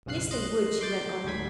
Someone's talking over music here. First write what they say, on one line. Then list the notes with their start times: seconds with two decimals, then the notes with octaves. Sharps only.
"Yes, they would," she went on.
0.06 B1 F#2 C#3 F5 F#6 C7
0.31 D#5 C6 F#6
0.81 C6 D6 G6 A6
1.24 D2 G#2 G3 G#6 B6